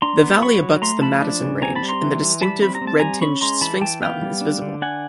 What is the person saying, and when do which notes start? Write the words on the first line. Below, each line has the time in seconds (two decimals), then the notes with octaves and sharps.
The valley abuts the Madison Range and the distinctive, red-tinged Sphinx Mountain is visible.
0.02 D4 A#5 C6
0.23 B3
0.42 F#3 B5 C#6
0.62 F#3
0.82 A3 A#5 C6
1.02 F3 A5 B5
1.22 D4
1.42 C#3
1.62 C4 G#5 A#5
1.75 A5 B5
1.83 G3
1.88 A#5 C6
2.02 E3
2.21 E3
2.41 G3 A5 B5
2.62 C4 B5
2.75 A#5
2.81 C4
2.87 A5
2.99 G3 G#5 A#5
3.21 C#4 B5 C#6
3.41 G#3 A#5 C6
3.61 E3 A5 B5
3.81 E3 G5 A5
4.01 B3 F5 G5
4.22 G3
4.41 D4
4.62 D3
4.82 D4 F#5 G#5